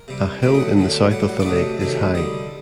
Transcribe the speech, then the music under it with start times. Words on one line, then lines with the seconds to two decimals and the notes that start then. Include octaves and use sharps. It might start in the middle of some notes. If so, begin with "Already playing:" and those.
A hill in the south of the lake is high.
Already playing: A#4
0.08 C3 G3
0.42 D3 F#3 A3 G5
0.54 D#5
0.60 F#5
0.77 D3 F#3 A3
1.11 A2 G3 F#5
1.29 F#5
1.40 D5
1.45 C3 F#3 A3 D#5
1.80 C3 D#3 F#3 A3
2.15 D3 G3 D#5